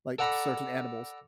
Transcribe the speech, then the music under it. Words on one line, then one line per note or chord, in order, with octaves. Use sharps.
like, certain animals.
A4 D5 F#5 A#5 B5